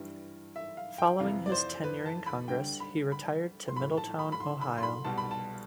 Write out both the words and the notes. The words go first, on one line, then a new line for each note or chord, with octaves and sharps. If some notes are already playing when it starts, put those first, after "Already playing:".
Following his tenure in Congress, he retired to Middletown, Ohio.
Already playing: G2 E3 G3
E5
F5
G5
F2 C3 E3 F5
D5
C5
B4
A5
B5
D2 D3 G3 G5
B5
B5
C6
A2 F3 B5
A5
B5
B5
C6
B5
C6
B5
C2 B2 G3 A5
B5
A5